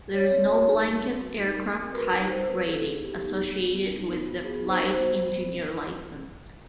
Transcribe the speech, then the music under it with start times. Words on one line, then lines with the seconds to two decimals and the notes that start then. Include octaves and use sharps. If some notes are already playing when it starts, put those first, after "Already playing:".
There is no blanket aircraft type rating associated with the flight engineer licence.
0.14 G3 C#5
0.21 D5
0.29 C4 C#5
0.49 F#4
0.67 D#4
0.85 G3
1.03 C4
1.21 F#4
1.39 D#4
1.56 G3 A#4
1.74 C4 A#4
1.92 F#4 B4
2.10 D#4 A#4
2.29 G3 C5
2.47 C4 B4
2.64 F#4 A4
2.82 D#4 G#4
3.00 B3 G4
3.18 D#4
3.36 B3
3.55 F#4
3.72 B3
3.91 D#4
4.08 B3
4.26 F#4
4.44 B3 G#4
4.63 D#4
4.68 C5
4.80 B3
4.92 C5
4.99 F#4
5.16 B3 C5